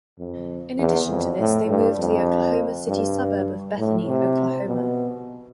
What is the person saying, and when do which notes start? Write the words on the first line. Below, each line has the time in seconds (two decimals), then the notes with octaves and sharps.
In addition to this they moved to the Oklahoma City suburb of Bethany, Oklahoma.
0.19 F2
0.79 E2
1.09 F2
1.39 A2
1.69 G2
1.98 F2
2.88 G2
3.78 A2
4.07 C3
4.67 B2